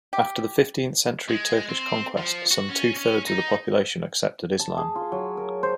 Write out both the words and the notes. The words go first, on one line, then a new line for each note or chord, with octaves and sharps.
After the fifteenth-century Turkish conquest, some two thirds of the population accepted Islam.
G4
G#3
C4
F3
F#4
C#4
C#4
D#4
A5
G#4
F4
F#3
A#4
C5